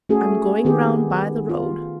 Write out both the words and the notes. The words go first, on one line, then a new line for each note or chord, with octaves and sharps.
I'm going round by the road.
A3 C#4 F#4 G#4 A4
D#3 B3 G4 G#4
F4